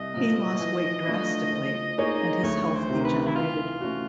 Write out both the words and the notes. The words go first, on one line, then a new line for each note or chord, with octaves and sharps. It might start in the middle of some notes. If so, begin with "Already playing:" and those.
He lost weight drastically and his health degenerated.
Already playing: C2 D#5
A#2 F3
E3
A3 D4 F4
F3
A#3 D#4 G#4 C#5
D2 C#5
C5
C3 D#3
B4
E4
E3 F4
A3 C#4 F#4